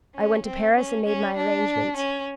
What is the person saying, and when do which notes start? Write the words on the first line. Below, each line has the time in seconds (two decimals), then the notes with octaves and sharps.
I went to Paris and made my arrangements.
0.15 C#4
0.46 C4
0.76 C#4
1.06 C#4
1.36 D4
1.97 C#4